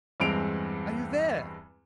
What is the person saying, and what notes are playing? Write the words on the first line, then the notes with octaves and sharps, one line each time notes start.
Are you there?
E2 G2 G#3 C4 D7 F7